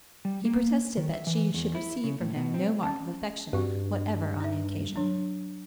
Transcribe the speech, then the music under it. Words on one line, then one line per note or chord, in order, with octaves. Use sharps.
He protested that she should receive from him no mark of affection whatever on the occasion.
G3
A#3
D#3
E5
E3
E2
E4
C#3
A2
B2
C4
C#4 A5
G2 C4 F#4
D#4 E5
F#3 D4